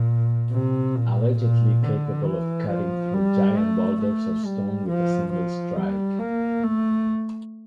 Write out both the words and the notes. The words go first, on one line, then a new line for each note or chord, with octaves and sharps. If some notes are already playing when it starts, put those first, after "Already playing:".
"Allegedly" capable of cutting through giant boulders of stone with a single strike.
Already playing: A#2
C3
A#2
A#2
D3
E3
F3
G3
A3
A3
G3
F3
F3
G3
A#3
A3